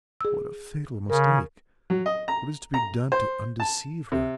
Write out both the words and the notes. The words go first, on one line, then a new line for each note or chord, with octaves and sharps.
"What a fatal mistake! What is to be done to undeceive her?"
G#4 E6
C#3 A#4
F#3
D#5
A#5
A#5
C5
A5
C3